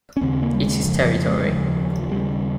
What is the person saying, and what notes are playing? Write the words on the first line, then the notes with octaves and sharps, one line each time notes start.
It's his territory.
C#4
D#2 C#3 C4
A#3
G3
G#3
F2 C#3 F3
F3
G#3
G3
D#2 C#3 F3
F3
D#2 C#3 G3